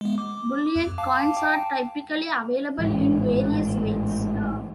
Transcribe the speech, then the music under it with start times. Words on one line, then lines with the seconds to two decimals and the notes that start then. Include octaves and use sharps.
Bullion coins are typically available in various weights.
0.01 G#3 B3
0.18 D6
0.76 F2
0.98 F5 A5 D6
1.37 G5 A5
2.79 A1 G#2 E3